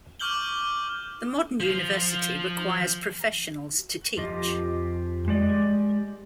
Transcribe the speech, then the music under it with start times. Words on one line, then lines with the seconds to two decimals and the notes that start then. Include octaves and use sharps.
The modern university requires professionals to teach.
0.20 C#6 D6 F6 G6 F#7 G7
1.60 F3 F5
4.17 F2 F4 G4 D#5
5.28 G#3 G4 D5 D#5